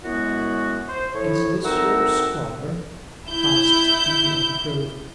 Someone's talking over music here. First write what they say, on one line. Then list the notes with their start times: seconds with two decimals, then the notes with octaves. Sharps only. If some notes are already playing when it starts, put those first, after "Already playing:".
"Is this your squire?" asked he of the Grove.
0.04 F#2 G#3 B3 E4 F#4
0.88 C5
1.14 A2 F3 E4 C#5
1.64 D2 C4 D#4 A#4 F#5 E6
3.29 E4 G6